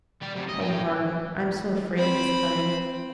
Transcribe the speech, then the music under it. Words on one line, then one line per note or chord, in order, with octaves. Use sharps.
'Oh, Margaret, I'm so afraid of his coming!
G3 D5
F#2 C3
D#5
A2 G5
C4 B5